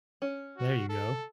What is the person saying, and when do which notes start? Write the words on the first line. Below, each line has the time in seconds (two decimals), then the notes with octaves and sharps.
There you go.
0.22 C#4
0.58 F#4
0.89 A4